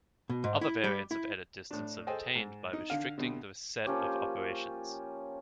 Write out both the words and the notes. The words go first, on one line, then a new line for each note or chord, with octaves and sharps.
Other variants of edit distance are obtained by restricting the set of operations.
B2
G#2
E4
G3
E4
A2 D4
G#4 A4 C5 D#5 G5 G#5
G#2
D#4
D3 F5
C2 B2 D3
F3 A#3 C#4 G4